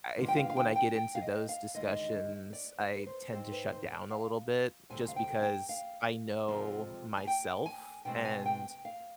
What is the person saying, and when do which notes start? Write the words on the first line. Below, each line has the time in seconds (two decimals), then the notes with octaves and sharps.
eI think when I get into those discussions, I tend to shut down a little bit just because I know myself, and
0.17 G2 D3 F3 G#3 B3
0.28 G5
0.36 F5
0.50 F5
0.57 G5
0.76 G5
0.95 G5
1.15 F5
1.21 D#5
1.49 F5
1.75 D#2 D3 G#3 D#5
2.53 D5
2.80 D5
2.96 B4
3.07 C5
3.32 G#2 G3 C4 C5
3.52 B4
3.72 C5
3.92 D5
4.11 F5
4.90 D2 C3 G3 C4 G#5
5.08 F5
5.16 G5
5.43 G5
5.69 F5
6.48 F2 C3 F3 G#3 C4
7.17 G#5
7.27 G5
7.66 G#5
8.05 B2 G#3 C4 G5
8.25 G#5
8.46 G5
8.85 F5